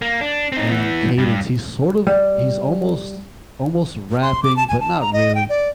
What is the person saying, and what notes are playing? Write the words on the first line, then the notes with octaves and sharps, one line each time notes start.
and cadence, he's sort of he's almost almost rapping, but not really.
A#3
D4
C4 D#4
E3 B3
G2
G3
C6
D6
A5
G#5
A5
A#5
D#5
G5
D5